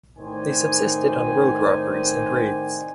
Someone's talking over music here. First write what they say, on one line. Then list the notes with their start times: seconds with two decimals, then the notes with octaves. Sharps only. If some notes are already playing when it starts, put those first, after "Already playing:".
They subsisted on road robberies and raids.
0.17 A2 C3 D#3 C5 D5 G#5